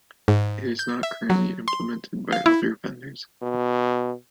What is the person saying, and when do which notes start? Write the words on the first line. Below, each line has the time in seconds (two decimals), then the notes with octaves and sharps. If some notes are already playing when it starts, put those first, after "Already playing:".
It is not currently implemented by other vendors.
0.28 G#2
0.79 G6
1.03 E5
1.30 F#3
1.68 C6
2.32 F5
2.46 E4
3.42 B2